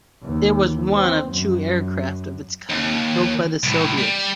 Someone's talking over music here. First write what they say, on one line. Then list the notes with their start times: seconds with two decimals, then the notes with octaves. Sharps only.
It was one of two aircraft of its kind built by the Soviets.
0.22 D#2
0.93 C4
1.28 F#2
2.70 D#2
3.63 C2 A2
3.98 G3